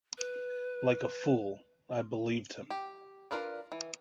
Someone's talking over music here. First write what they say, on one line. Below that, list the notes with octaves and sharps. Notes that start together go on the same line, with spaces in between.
Like a fool, I believed him.
B4
G4
D4 F4 A#4 B4 D5
E3